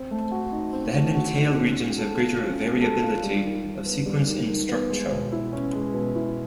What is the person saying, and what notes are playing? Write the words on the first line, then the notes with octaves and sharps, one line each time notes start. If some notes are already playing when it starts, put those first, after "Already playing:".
The head and tail regions have greater variability of sequence and structure.
Already playing: C4
A3
F#4
D#4
C4
A3
F#4
D#4
C#4
G#3
A4
F4
C#4
G#3
A4
F4
G3
D#3
D#3
B3
G3
D#3
D#3
B3
G#3
B2
E4
C#4
G#3
B2
E4